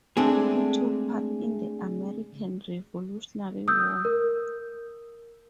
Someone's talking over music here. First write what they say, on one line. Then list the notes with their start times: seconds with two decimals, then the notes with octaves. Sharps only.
He took part in the American Revolutionary War.
0.17 G#3 A3 C4 D4 G#4
3.68 D#6 E6 G6
4.05 A#4